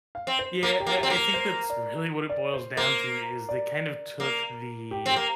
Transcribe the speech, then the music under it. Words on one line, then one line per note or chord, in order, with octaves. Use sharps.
Yeah. I I think that's really what it boils down to is they kind of took the
F5
C4
C5
A#3 A#4
G4
A#3
C4 G4
A#3
A#4
C5
D5
D5
C5
A#3 C5
D5
A#3
G4
C4 G4
A#3